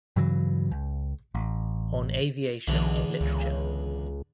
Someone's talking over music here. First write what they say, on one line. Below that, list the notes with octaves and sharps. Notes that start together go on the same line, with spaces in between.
On aviation in literature.
G2 C#3 E3 F#3
C#2
A1
B1 E2 D3
C#2